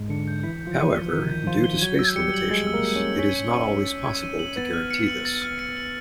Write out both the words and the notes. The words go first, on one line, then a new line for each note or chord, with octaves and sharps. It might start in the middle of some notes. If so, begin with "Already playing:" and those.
However, due to space limitations, it is not always possible to guarantee this.
Already playing: G#2 G#3
D3 D4 C#7
G6
E3 E4 B6
G6
F3 F4
D#7
G7
D#3 D#4 B6
G6
F3 F4 D#7
G7
F#3 F#4 G#6
E6
G3 G4 C#7
F#7
G#3 G#4 G#6
E6
A#3 A#4
C#7
C#4 C#5
F#7
C#4 C#5 B6
G#6
D#7
F#7
B6
G#6
D#7
F#7
B3 B4 A6
F6
C#7
F#7
A6
F6
C#7
F#7